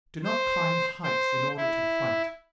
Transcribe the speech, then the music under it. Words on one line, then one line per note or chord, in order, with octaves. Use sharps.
Do not climb heights in order to fight.
C5
C5
E4